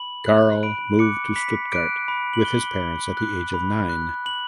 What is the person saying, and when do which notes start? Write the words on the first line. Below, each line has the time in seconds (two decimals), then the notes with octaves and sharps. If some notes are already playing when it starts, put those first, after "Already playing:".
Karl moved to Stuttgart with his parents at the age of nine.
Already playing: B5 F#7
0.26 F#6
0.63 B5 D7
0.99 D6 F#6 C#7
1.36 B5 B6
1.72 D6 F#6 D7
2.08 B5
2.33 F#7
2.44 F#6 G7
2.80 B5
3.17 F#6
3.54 B5
3.89 F#6
4.26 B5 F#7